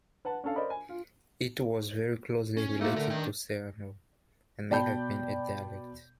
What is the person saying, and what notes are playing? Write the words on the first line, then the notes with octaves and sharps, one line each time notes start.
It was very closely related to Serrano, and may have been a dialect.
B4 F#5 A5
C#4 D4 A4 F5
A#4 C5 D5 D#5 B5
G#5
F4
C#4
A3 A#3 D#4 F#4
D3 A#4 D5
D#3 D4 G5
B2 D5 G5 A5 B5 G6